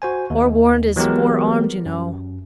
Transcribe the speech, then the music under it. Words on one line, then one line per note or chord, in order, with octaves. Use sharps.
Forewarned is forearmed, you know.
F#4 C5 G#5
D#2
E3 F#3 G#3 B3 G4 A#4
F#2